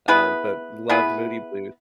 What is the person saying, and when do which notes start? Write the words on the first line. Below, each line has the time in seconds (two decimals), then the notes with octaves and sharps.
um, but love Moody Blue
0.08 B3 E4 G#4 B4
0.89 B3 E4 G#4 B4